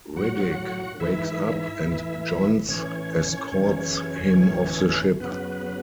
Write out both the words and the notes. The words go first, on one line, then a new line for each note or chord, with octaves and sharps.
Riddick wakes up and Johns escorts him off the ship.
A2 F#3 F#4 F#5
G#2 E3 E4 E5
A2 E3
A2 E3 C#4 C#5
F#2 C#3 E3
A2 E3
F#2 C#3 F#3 B3 B4